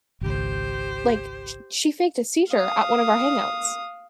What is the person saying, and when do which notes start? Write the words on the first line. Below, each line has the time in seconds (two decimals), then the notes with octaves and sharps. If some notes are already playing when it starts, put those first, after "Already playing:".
like, sh she faked a seizure at one of our hangouts,
0.21 G#1 C#2 G4 C5
2.51 F5 D#6